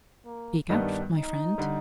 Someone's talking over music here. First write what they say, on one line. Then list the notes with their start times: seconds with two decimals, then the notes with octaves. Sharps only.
"Speak out, my friend."
0.25 A#3
0.69 G2 D#3 G3 B3 D4 D#4
1.15 D#4
1.58 D3 G3